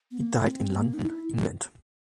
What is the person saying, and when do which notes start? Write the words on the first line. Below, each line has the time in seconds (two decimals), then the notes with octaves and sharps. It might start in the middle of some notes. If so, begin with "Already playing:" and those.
He died in London, England.
0.11 B3
0.18 A#3
0.46 C4
0.74 A#3
0.94 D#4
1.03 E4